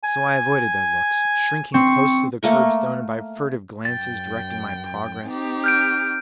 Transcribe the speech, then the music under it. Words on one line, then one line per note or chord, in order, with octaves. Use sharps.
So I avoided their looks, shrinking close to the kerbstone and by furtive glances directing my progress.
G#5
C4 C#6
A3 A#3 C#6
F#2 G5 A6
C4 D#4 G4
F6 G6 D7